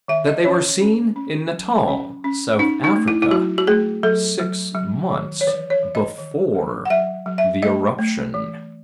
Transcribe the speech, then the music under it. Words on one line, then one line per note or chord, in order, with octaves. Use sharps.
That they were seen in Natal, South Africa, six months before the eruption.
D#3 E5
D#5
C#4 C#5
C#4
C#4
F#3
C#4
C#4
C#4 D#4
D#4
A3
E4
E4
F#3 F#4
F#4
A3 G#4
F#3 A4
F#3
F#3
D#3
C#5
E3 B4
C#5
E3
D#5
D#3
F#3
F#5
F#3 E5
F#3
E5
A3 D#5
A3
E3